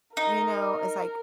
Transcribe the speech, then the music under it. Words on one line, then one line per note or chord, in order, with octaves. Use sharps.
you know, it's like
D#4 A#4